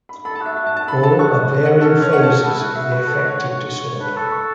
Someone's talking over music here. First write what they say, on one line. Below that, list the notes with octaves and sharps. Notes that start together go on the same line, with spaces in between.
All are varying phases of the affective disorder.
B5
A4 B5
A5
F#4
E5
E5
A5
A5
A4 B5
A4 A5
F#4 C#6
F#5
C#4 A4
C#5
F#5
A5
F#5
E4 A5
F#4
E5
B4
A4
B4
C#5
C#5 F#5
B4 A5
A4 C#6
C#6